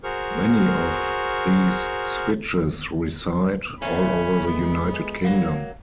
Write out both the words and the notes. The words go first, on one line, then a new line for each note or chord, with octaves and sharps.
Many of these switches reside all over the United Kingdom.
F#4 G#4 A#4 C5 C#6 F6
F2 A#2 A3 C#4 B5
G#3 B3
F#3 A#3